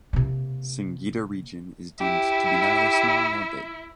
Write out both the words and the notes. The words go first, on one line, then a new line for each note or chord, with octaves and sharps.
Singida region is deemed to be neither small nor big.
C3 A#3
E4 G4